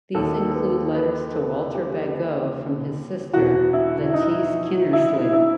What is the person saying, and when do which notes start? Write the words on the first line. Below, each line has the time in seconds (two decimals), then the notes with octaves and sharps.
These include letters to Walter Bagot from his sister Lettice Kinnersley.
0.15 D#2 D#3 A4
0.49 A4
0.55 B4
0.95 B4
1.34 A4
1.75 G4
3.33 E2 B2 F#4
3.73 E4
4.13 D#4
4.93 E4
5.33 E4